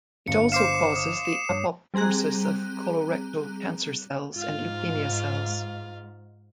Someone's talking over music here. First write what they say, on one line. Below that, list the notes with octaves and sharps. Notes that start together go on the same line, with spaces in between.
It also causes the apoptosis of colorectal cancer cells and leukemia cells.
G1 C#7
C5 F5 D6 C7 E7
D#6
E7
G2 C#5
G3 C4 G#4 A#5 F#6
G#2 F4 F5